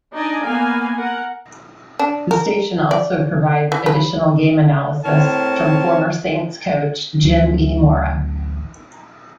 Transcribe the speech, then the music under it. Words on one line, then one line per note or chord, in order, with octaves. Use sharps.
The station also provides additional game analysis from former Saints coach Jim E. Mora.
D4 D#4 D5 D#5 G#5
A#3 B3 F5 G#5
A#4 F#5
D4
A#4
D5
E3
B4
A2 C4 A#4 C#5 A5
A1 D2 E3 F#3